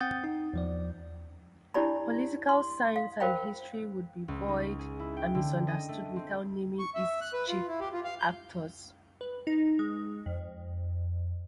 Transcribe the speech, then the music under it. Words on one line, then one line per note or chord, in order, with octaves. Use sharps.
Political science and history would be void and misunderstood without naming its chief actors.
C4 F#5 G5 D#6 G6 A6
D#4
E2 F3 D5
D4 E4 G4 D5 A5 B5
C6
F5
A#4 C5 F5 G5 B5
C#2
D#4
G#4
E4
G5
D3
D#5
A3
C4
C#6
E5
F#6
B4
F4
E4
G4
F4
F5
G6
B4
D#4
G#3
F2